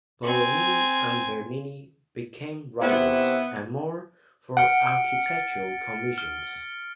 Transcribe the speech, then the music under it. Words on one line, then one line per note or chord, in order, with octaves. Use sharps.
Borromini and Bernini became rivals, and more, for architectural commissions.
C4 G#5
C3 B3 E4
F#5 F6 C#7 D7
A6
F6